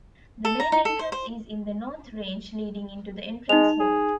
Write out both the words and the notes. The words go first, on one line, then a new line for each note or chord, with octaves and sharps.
The main entrance is in the north range, leading into the Entrance Hall.
A4
A#5
D#4
A4
C5
C5
G#3 D#4 F7
G#4